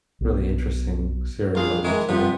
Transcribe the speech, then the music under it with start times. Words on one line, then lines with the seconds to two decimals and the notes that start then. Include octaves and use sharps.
really interesting series on YouTube,
0.21 B1 B3
1.55 A#1 G2 G#4 F5
1.84 D#3 E3 G#3
2.09 G2 C3 F3 B3